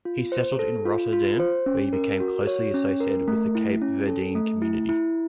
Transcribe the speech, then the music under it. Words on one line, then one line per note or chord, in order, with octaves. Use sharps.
He settled in Rotterdam, where he became closely associated with the Cape Verdean community.
F4
C5
A4
F4
F4
C5
C#4
A#4
F#4
C#5
C#4
A#4
A3
E4
C#4
A4
A3
E4
E4